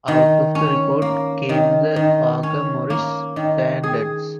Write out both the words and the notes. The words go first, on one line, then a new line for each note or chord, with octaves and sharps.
Out of the report came the Parker Morris Standards.
D#3
C#4
A#3
D#3
D#3
C#4
A#3
D#3
G#4